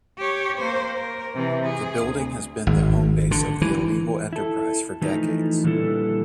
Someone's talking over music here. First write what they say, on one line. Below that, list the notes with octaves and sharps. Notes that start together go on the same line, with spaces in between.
The building has been the home base of the illegal enterprise for decades.
G4 C#5
A#3 C5
A#4
C3 E3
G#4
D2
G#1
D3
E3
E4 A4
E3 F3 A3 D#4
A#2 D3 E3 G3 E4 A4